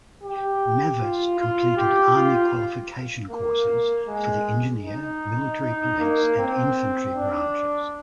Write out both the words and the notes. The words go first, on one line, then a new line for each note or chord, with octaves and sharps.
Navas completed Army qualification courses for the Engineer, Military Police, and Infantry branches.
G4
F4
F4
G4
F4
A#3
G#3
D#4
D#4
A#3
C4
D4